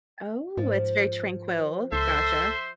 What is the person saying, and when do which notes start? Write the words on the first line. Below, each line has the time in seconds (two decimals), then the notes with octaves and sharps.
Oh, it's very tranquil, gotcha.
0.57 G#2 F3
1.92 C#2 A4 C5 E5 C6